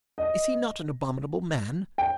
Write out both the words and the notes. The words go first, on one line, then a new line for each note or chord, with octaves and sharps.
Is he not an abominable man?
D#5
G5